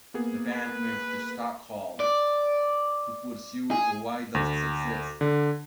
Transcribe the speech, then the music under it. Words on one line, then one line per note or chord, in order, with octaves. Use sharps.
The band moved to Stockholm to pursue wider success.
A#3 B3 G#4
B4
D5
G#4
D2
D3